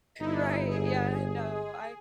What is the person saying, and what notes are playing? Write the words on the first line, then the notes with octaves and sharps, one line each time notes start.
Right, Yeah, no, I
G1 D#4 E4
G#4